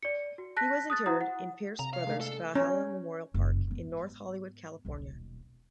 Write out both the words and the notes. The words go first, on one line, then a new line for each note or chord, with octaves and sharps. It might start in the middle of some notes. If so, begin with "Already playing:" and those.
He was interred in Pierce Brothers Valhalla Memorial Park, in North Hollywood, California.
D5 C#7
F#4
A5 F#6 A#6 B6
D#6 F#6 A6
E4 F#4 C5 F#5 A#5 D#6
F#5
C3 A#5
C#5 F5
G#3 A3 D4
A4
C#4
F#1 A#2
G#2 B3
D#1 B1